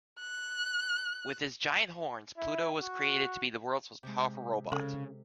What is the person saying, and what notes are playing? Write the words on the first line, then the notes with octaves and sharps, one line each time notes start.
With his giant horns, Pluto was created to be the world's most powerful robot.
F#6
E4
F#4
C3 G#3
C#3 A4